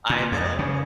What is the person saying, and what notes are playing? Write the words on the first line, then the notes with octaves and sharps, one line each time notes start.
I know.
A#2
F2
C#3